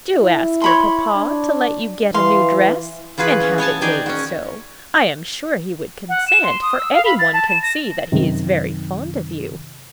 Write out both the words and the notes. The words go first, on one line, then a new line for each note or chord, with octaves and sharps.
Do ask your papa to let you get a new dress and have it made so; I am sure he would consent, for any one can see that he is very fond of you.
E4
C#5 B5 C6
D4
E3 F5 C6
E3 F4 F#4 G#4 B4
C#4
B3 C#5 G#5 A5
D#3 G#4 D5 G5 G#5 A#5
C#4 F#4
F#5
E7
C6
D#6
E6
F5
B5
A6
A5
E7
A#6
F#2 C3 D#3